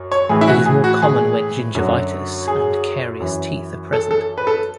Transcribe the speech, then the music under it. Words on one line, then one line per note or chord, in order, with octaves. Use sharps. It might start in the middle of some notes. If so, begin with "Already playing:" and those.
It is more common when gingivitis and carious teeth are present.
Already playing: F#2 F#3
C#5
A2 E3 G#4
E4
F#4
G#4
F#4
G#4
F#2 D3 F#3
G#4
F#2 E3
A4
A4
B4
A4